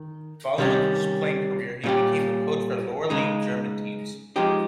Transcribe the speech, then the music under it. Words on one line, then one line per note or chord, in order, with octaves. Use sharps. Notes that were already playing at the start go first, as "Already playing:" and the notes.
Following his playing career, he became a coach for lower-league German teams.
Already playing: D#3
C3 D#3 G3 C#4
A#2 G3 C#4 G4
C#3 G#3 D#4
F3 G#3 D#4 G4